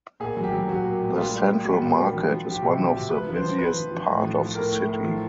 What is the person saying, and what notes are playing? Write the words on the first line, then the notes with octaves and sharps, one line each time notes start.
The Central Market is one of the busiest part of the city.
A#2 G#4
F#3
G4
F#3
F#3 F#4
A#2
A#2
G3 F4
G3
G3
G3 F#4
A#2
G3
F3
F3
F3
G4
C3 F#4
F3
G4
C3
F3 B4
F3 B4
C5
F3
F3 B4
F3
F3
A2
F3
F3
A2 A#4
A2
A2
F3